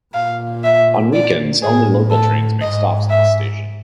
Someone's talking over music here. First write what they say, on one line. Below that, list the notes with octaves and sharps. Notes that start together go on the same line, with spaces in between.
On weekends, only local trains make stops at this station.
A#2 F5
E5
D5
A2 G#4
A4
G#2 D#5
E5